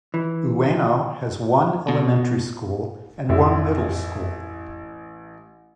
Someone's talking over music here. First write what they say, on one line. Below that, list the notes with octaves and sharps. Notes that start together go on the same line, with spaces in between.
Ueno has one elementary school and one middle school.
E3
B2
A1 F2 C#4 E4